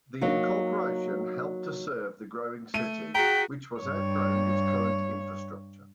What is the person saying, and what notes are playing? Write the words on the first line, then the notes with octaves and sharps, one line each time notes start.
The incorporation helped to serve the growing city, which was outgrowing its current infrastructure.
F#3 A#3 D#4
A3 D#7
F#4 G#4 G5 A#5 B6
G2 C#5